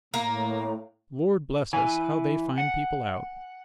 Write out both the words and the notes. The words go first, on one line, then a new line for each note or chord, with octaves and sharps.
Lord bless us, how they find people out!
A2 A#3 A#5
E3 B4 G#5
F#5